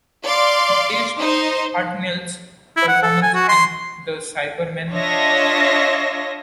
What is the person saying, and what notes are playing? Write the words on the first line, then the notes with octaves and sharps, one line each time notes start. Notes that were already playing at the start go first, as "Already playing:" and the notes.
He praised Hartnell's performance and the Cybermen.
D5 F5 C6 D6
D#4 C5
E4
F#5
A4
G#5
F#4
C6
D4 F4 C#5 D#5 E5 A#6